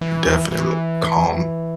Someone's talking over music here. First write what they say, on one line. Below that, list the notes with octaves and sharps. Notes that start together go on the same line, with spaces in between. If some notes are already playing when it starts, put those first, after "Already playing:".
Definitely calm.
E3
E3